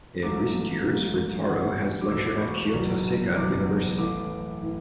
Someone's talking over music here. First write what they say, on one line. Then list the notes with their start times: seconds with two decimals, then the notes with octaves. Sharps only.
In recent years, Rintaro has lectured at Kyoto Seika University.
0.23 A1 G#2 F#3 A3 D6
0.86 A1 G#2 F#3 A3
1.48 E1 E2 B2 A3 F#5
2.01 D6
2.11 E1 E2 B2 A3 E6
2.27 D6
2.36 B5
2.42 C#6
2.58 C#6
2.73 F#1 E2 B2 F#3
3.36 F#1 E2 B2 F#3 D6
3.98 A1 A2 E3 A3 D6
4.62 A2 E3